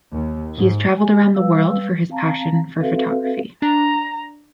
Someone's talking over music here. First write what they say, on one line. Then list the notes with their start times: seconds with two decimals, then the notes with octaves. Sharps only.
He has travelled around the world for his passion for photography.
0.11 D#2
0.55 G#2
0.93 G4 G#5
1.35 G3 B4 F5 E6
2.10 C4 F5 A5 A#5
2.80 C4 F#4 A4 B4 E5 F5
3.62 D4 A#5